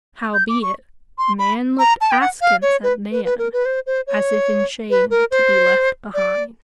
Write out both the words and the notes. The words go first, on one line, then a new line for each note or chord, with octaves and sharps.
Howbeit, man looked askance at man, as if in shame to be left behind.
G6
D6
C#6
C6
B5
A#5
A5
G5
F#5
F5
C#5
B4
B4
B4
A#4
B4
C5
C5
C#5
B4
A#4
C5
D5